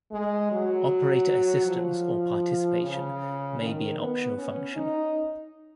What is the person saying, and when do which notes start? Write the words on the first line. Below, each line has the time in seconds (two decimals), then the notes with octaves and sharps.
Operator assistance or participation may be an optional function.
0.12 G#3
0.51 F#3
1.67 F3
2.83 C#3
3.60 D#3
3.99 B3
4.37 C#4
4.76 D#4